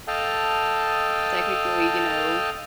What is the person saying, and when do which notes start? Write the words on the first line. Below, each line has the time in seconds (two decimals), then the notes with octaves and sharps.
technically, you know,
0.08 A4 D#5 F5 G5 A5